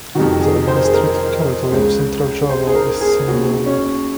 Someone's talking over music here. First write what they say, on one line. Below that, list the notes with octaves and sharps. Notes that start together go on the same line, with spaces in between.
The administrative capital of Central Java is Semarang.
F2 C3 D#3 F#4
G#4
C5
A#4
G#4
A#4
C#2 C#3
C5
G#4
A#4
G#4
D#2 C#3 F#4
C#4